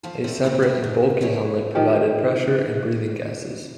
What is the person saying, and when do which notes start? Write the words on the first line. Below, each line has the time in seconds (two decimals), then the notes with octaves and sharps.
A separate, and bulky, helmet provided pressure and breathing gases.
0.03 F3 A3 F5 A5
0.24 C4 F#4 A#4 D5 E5
0.43 A#2 C#3 F#3 A3 C4 E4
0.62 A3 B3 F#4 G4
0.84 G#2 C3
1.21 D#3 F3 E4 C#5 D5
1.75 D#3 F3 G4